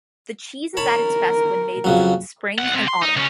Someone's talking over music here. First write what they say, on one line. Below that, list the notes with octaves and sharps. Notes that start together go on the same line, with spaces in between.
The cheese is at its best when made between spring and autumn.
A#4 C#5 A5 B5
F2 C#3 F#3
C2 F#5
C3
C6
D#4
C#2 C#4